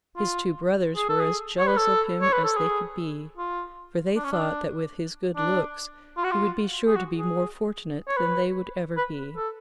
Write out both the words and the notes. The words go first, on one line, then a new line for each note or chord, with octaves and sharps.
His two brothers were as jealous of him as they could be, for they thought that with his good looks he would be sure to be more fortunate than they would ever be.
F4
G#4
A4
G#4
C#5
B4
A4
C#5
B4
A4
G#4
F4
D4
C#4
D4
D4
F4
F#4
F4
G#4
F#4
G#4
C#5
B4
B4
A4